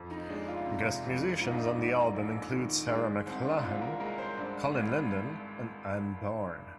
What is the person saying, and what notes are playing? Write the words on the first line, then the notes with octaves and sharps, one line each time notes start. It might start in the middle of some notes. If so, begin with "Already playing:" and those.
Guest musicians on the album include Sarah McLachlan, Colin Linden and Anne Bourne.
Already playing: F2
D#4
G#3 D4
F4
C3
F2
G#2 F4
D#4
D4
D#4
G#2
A#1
D#3
G#3 D4
C2 C4
D4
C2 F4
A#4
G#3 A#4
C5
G2 D5
G#1